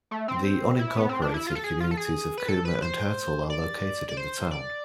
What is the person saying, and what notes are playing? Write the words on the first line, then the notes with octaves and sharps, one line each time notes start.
The unincorporated communities of Coomer and Hertel are located in the town.
A3
C4
E4
B3
C4
D4
E4
F4
A4
G#4
F4
A4
G#4
B4
A4
B4
C5
D5
D5
C5
D5